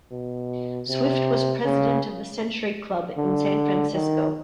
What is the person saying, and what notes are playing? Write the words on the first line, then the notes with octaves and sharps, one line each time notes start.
Swift was president of the Century Club in San Francisco.
B2
C3
C#3
D3
D#3